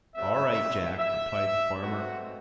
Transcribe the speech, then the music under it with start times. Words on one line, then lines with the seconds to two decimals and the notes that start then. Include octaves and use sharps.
"All right, Jack," replied the farmer.
0.15 C3 F#3 A3 C4 E5
0.99 E5
1.81 B2 F#3 A3 C4 F#4